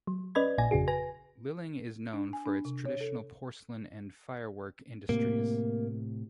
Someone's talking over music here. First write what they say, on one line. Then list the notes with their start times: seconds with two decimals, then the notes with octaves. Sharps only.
Liling is known for its traditional porcelain and firework industries.
0.07 F#3
0.35 C#4 B4 D5 D#5 B5 G#6
0.58 A#1 A#2 D5 G#5 A#6
0.71 G1 F2 C#3 F#4 G#4
0.88 B4 G#5 A#6
2.13 D4
2.33 G#5
2.46 D4
2.65 C3
2.85 C#5
3.01 A4
5.09 A2 C3 A#3